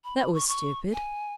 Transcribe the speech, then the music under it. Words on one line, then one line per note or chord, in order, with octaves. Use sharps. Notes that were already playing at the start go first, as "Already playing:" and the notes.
'That was stupid.
B5
B5
C#6
C#6
G#5